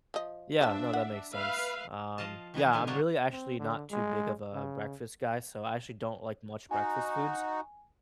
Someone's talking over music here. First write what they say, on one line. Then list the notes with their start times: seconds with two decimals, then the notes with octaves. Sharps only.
Yeah, no, that makes sense. Um, yeah, I'm really, actually not too big of a breakfast guy, so I actually don't like much breakfast foods.
0.14 F3 D#5
0.61 F3 D4 E5 A5
0.93 F#5
1.34 B4 E5 F5
2.18 F3 D#5 F5 A5
2.54 D#3 E3 B3 G#4
2.73 A2 D3 G#3 G4 G#5
2.87 D3 F#3 A#3 B3 D4 C#5
3.31 C4
3.59 D3
3.91 G#3
4.53 C#3
6.71 D#4 F#4 G#5